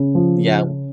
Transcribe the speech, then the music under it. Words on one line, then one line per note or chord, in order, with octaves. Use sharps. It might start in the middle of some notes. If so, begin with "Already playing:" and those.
Yeah, wh
Already playing: C#3
F3
C#3
C#4